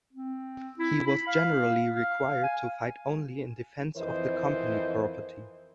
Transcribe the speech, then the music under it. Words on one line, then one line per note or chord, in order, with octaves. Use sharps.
He was generally required to fight only in defence of the company property.
C4
E4
B5
F5
F5
G#5
F2 E3 A#4 C5 D#5